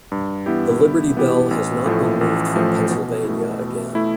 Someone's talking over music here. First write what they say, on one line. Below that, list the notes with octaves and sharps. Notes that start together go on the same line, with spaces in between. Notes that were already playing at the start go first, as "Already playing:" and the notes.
The Liberty Bell has not been moved from Pennsylvania again.
G2
E3 B3 E4 G4
G2
E3 B3 E4 G4
A1
A2 F3 A3
A1
A2 F3 A3
B2
A3 E4
B2
A3 E4